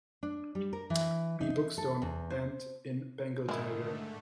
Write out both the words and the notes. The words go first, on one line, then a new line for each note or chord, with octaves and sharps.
B. Buckstone, and in "Bengal Tiger".
D4
G3
A#4
E3
D#4
A4
E2
C5
G#2 D3 D#3 G#3 A3 E4